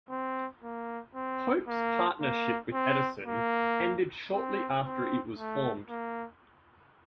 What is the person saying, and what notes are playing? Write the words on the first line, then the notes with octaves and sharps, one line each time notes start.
Pope's partnership with Edison ended shortly after it was formed.
C4
A#3
C4
A#3
A#3
C4
A#3
C4
C4
A3
A#3